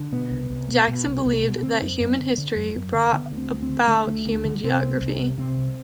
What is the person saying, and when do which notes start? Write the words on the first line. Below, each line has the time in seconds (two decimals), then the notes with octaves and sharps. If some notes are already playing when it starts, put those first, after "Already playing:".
Jackson believed that human history brought about human geography.
Already playing: D3
0.12 B2 B3
0.31 C2
0.50 C2
0.69 B2
0.88 B2
1.07 C2
1.25 C2
1.44 B2
1.62 D3 C4
1.82 F#2
2.00 F#2
2.19 D3
2.38 D3
2.56 F#2
2.75 F#2
2.94 D3
3.12 D3 B3
3.32 D2
3.37 C4
3.50 D2
3.62 C4
3.69 D3
3.87 D3 A3
4.07 D2
4.26 D2
4.45 D3
4.64 C3 C4
4.82 C2
5.01 C2
5.20 C3
5.38 C3 C4
5.58 C2